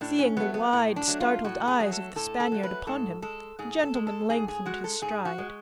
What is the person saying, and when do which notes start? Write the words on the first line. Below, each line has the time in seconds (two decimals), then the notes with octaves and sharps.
Seeing the wide, startled eyes of the Spaniard upon him, the gentleman lengthened his stride.
0.01 A2 D4
0.19 C#4
0.37 F#3 A3 B3
0.54 B3
0.73 A2
0.96 D4
1.08 F#3 A3
1.20 F4
1.44 A2 F#4
1.68 G#4
1.80 F#3 A3
1.92 A4
2.16 A2 A4
2.40 A4
2.52 F#3 A3
2.63 B4
2.87 G#2 A4
3.22 G#3 A4
3.59 G#2 G#4
3.83 A4
3.95 G#3
4.07 A4
4.30 G#2 G#4
4.48 G#4
4.66 G#3 F#4
4.84 A4
5.02 G#2 G#4
5.25 F#4
5.38 G#3